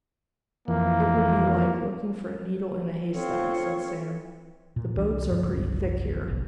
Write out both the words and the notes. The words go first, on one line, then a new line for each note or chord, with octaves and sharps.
"It will be like looking for a needle in a hay-stack," said Sam. "The boats are pretty thick here."
F2 E3 A#3
C4 F4 A4 C#5
A#2
C2 E3 F#3 D4
C#2 G2 F3
F#1 C2 F#2 D3
F#1 B1 F#2